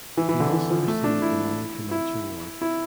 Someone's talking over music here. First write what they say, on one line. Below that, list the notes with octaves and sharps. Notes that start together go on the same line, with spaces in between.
He also received the man of the match award.
E3
E3
D3
E3
F3
A3
D4
E4
E4
E4